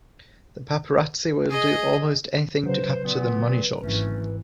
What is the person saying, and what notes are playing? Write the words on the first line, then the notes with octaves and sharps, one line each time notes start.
The Paparazzi will do almost anything to capture "the money shot".
G#4 D#5
C#3 F#3 B4 C5
A#2 B3
G#1 E3 A3 C#4